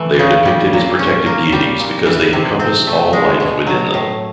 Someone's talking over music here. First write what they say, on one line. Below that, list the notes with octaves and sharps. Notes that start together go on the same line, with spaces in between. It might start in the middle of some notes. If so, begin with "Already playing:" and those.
They are depicted as protective deities because they encompass all life within them.
Already playing: E3 A3
C#3
G3
A#2
C#4
A#3
G3
A#2
E3
C3
C4
A3
G#3
B2
F#3
A2